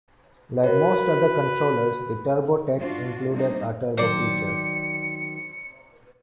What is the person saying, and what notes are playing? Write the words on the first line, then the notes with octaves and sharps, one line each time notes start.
Like most other controllers, the Turbo Tech included a turbo feature.
F#4 A#4 B4 C#5
G2 D4 F4 F#4
G3 A#3 C4 D4 D#4
D#3 F#3 A#4 C5 D5 C#7